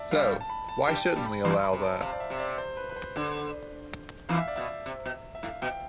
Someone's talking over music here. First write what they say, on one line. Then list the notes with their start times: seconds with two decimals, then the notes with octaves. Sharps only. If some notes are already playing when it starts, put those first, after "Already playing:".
So, why shouldn't we allow that?
Already playing: D5 E5 A5
0.11 G2 G3 F5
0.41 A5
0.50 B5
0.69 A5
0.87 G2 G3 G5
1.07 A5
1.16 G2 G3
1.26 B5
1.44 E2 E3 C6
1.63 B5
1.73 C3
1.82 A5
2.01 C3 F5
2.12 D5
2.20 E5
2.30 C3
2.39 D5
2.58 C5
2.77 B4
2.90 B4
2.96 C5
3.16 D3
4.29 E2 E3 F5
4.38 E5
4.48 D5
4.56 B2 E5
4.86 C3
5.06 B2
5.35 E5
5.43 A2 F5
5.62 B2 G5